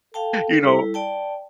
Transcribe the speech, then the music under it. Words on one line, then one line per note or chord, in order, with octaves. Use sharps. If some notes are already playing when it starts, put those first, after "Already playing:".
you know
A4 F5 G5 A5
G3 E4
D5 G5 A5